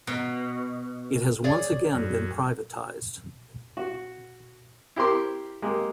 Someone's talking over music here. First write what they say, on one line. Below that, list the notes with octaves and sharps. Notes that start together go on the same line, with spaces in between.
It has once again been privatised.
B2
G#4 C#5 D5
F#2
F#4
E4 G4 A#4 C5 C6 D6
G#3 A#3 G4